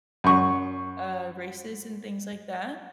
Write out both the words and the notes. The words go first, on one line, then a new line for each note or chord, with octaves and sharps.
uh, races and things like that.
F#2 C#6